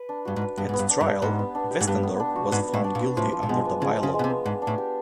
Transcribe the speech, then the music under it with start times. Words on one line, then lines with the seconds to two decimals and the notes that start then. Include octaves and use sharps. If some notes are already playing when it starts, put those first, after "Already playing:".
At trial, Westendorp was found guilty under the by-law.
Already playing: B4
0.09 D4
0.25 G2 F#4
0.36 G#2
0.42 B4
0.57 G2 B3
0.69 G#2 B3
0.79 G2
0.90 D4
1.01 G2
1.06 G4
1.22 G#2 B3
1.39 B3
1.55 D4
1.71 G4
1.81 G#2
1.87 G2 B3
2.03 B3
2.20 D4
2.36 F#4
2.52 G#2 B3
2.68 B3
2.74 A2
2.84 D4
2.95 A#2
3.00 F#4
3.16 A2 F3
3.33 F3
3.43 A#2
3.49 B2 G#3
3.65 B3
3.81 C#3 F3
3.97 F3
4.03 C#3
4.14 G#3
4.19 B2
4.24 C3
4.30 B3
4.46 G#2 D4
4.62 D4
4.67 A2
4.78 G4